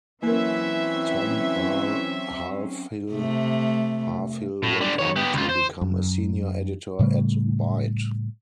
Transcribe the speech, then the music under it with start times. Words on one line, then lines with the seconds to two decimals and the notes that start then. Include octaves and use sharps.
Tom R. Halfhill: Halfhill went on to become a senior editor at "Byte".
0.23 E3 F#3 A#3 C4 C#4 A#4 E5
3.12 C3 A3
4.63 A2
4.81 D3 G3
4.99 D#3 C#5
5.16 B3 G4
5.34 C#2 F4
5.49 C5
5.81 F#2
6.99 A2 C#3 G3 A3